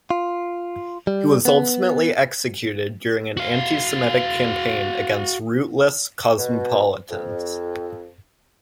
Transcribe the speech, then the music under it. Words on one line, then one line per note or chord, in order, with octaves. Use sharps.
He was ultimately executed during an antisemitic campaign against "rootless cosmopolitans".
F4
G3
B3
F#4 F5
B2
F2